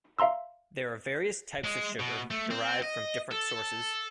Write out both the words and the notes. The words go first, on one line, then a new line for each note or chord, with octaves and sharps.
There are various types of sugar derived from different sources.
E5 F5 A#5 C6 E6
G#3
B2
A3
C4
D#5
A4